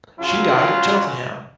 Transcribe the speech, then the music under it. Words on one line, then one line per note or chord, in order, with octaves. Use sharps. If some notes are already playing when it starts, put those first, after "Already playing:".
She died at Cheltenham.
C#3 F#3 F4